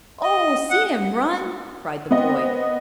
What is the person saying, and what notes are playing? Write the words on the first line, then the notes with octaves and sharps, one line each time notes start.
"Oh, see him run!" cried the boy.
D#5
F#5
B3 C4 D#5